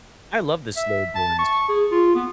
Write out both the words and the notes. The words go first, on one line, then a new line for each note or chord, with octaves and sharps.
I love the slow burns.
E5
A5
C#6
G#4
F4
B3